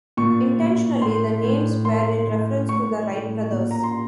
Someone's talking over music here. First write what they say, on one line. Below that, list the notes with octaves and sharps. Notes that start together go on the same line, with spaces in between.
Intentionally, the names were in reference to the Wright brothers.
A#2 C#6
A#2
A2 C6
A2
A2 C6
A2
A2 C#6
A2
A#2
A#5
C6